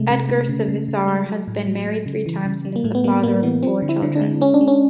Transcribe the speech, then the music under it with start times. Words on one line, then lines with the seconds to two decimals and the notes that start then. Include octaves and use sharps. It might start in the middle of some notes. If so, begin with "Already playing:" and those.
Edgar Savisaar has been married three times and is the father of four children.
Already playing: C3 G#3 A3
0.10 C3
0.29 C3
0.49 C#3
0.68 C#3
0.88 C#3
1.08 G#3
1.28 F#3
1.48 A2
1.67 F#3
1.86 F#3
2.06 C#3
2.26 E3
2.45 C#3
2.65 G3
2.76 A#3
2.84 A2 A3
2.95 B3
3.04 G3 A#3
3.23 A2 A#3
3.43 E3 B3
3.63 F3 C4
3.82 D3
3.89 E4
4.02 D3
4.15 D4
4.21 G#3
4.41 G#3 C#4
4.54 D4
4.61 G#3
4.68 C#4